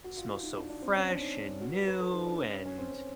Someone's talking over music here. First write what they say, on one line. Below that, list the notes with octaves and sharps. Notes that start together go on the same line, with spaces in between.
smells so fresh and new, and,
F#4
F4
E4
D#4
D4
D4
C4
C#4
D4
D#4
F#4
B4
B4
A4
D#4
D4
C#4
C#4
C#4
C4
C4